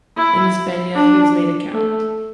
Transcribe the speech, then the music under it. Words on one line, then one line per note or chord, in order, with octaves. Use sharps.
In Hispania he was made a count.
E4
D4
A3